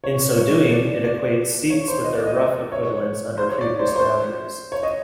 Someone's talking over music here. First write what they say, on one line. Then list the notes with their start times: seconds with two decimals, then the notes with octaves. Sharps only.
In so doing, it equates seats with their rough equivalents under previous boundaries.
0.04 C#5
0.38 C#5
0.71 D5
1.04 D5
1.70 C#5
1.88 C5
2.04 D#5
2.15 D5
2.26 D#5
2.37 D#5
2.72 C#5
3.38 C5
3.49 C#5
3.61 D5
3.79 C5
3.88 C#5
3.96 C5
4.72 C#5
4.83 D#5